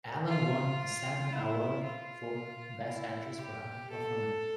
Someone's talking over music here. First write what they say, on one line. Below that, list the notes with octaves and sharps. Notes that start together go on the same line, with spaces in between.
Allen won a Saturn Award for Best Actress for her performance.
F4
E4
F4
E4
G4
A4